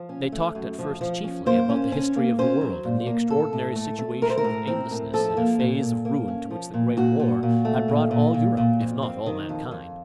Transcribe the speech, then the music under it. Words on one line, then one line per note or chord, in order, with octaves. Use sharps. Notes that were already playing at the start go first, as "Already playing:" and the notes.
They talked at first chiefly about the history of the world and the extraordinary situation of aimlessness in a phase of ruin to which the Great War had brought all Europe, if not all mankind.
Already playing: F3
C#4
A3
F#2
F3
F3
C#4
A#3 C5
C#4
C#4
A#3
C#4 C5
F#3
A#2
A#3
A2 A4
A2
A3
A3
A3 A#4
C5
A#4
A2
C4
A2
F3 A4
A#3
A#2
A#2
A#3
C#4
F3
A#2
A#2 F#4
A#2
A#2
A3
A#2
A#2
A#2
A#2
F2
C4
D#3
F2
F2